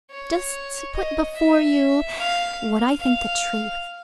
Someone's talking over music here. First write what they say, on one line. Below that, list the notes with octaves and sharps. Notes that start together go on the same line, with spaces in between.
Just to put before you what I think the truth.
C#5
D#5
E5
F5
F5